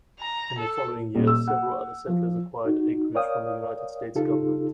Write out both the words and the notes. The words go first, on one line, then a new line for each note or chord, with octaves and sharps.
In the following years several other settlers acquired acreage from the United States government.
A#5
A4
D#1
E6
F#5
F3
D#4 F#4
A#4 C#5 D5 F5 G5 D#6
C#3 D#4 F4 G4 A4